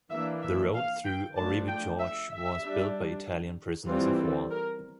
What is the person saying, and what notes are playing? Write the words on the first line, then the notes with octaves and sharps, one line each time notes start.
The road through Oribi Gorge was built by Italian prisoners of war.
E3 A#3 D4 E5
E5
F5
G5
F3 A3 D4 A5
G5
E5
E5
G3 D4
E3 G3 C4 F4
A4
A#4